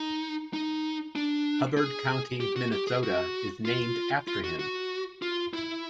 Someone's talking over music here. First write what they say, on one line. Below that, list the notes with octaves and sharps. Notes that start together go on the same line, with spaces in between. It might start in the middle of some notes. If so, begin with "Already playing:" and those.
Hubbard County, Minnesota is named after him.
Already playing: D#4
D#4
D4
G#4
G4
F#4
G4
G#4
F#4
F4
F4
F#4
F#4
F4
E4